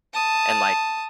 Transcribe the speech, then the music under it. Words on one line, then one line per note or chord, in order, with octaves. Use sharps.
and, like,
A5 D#6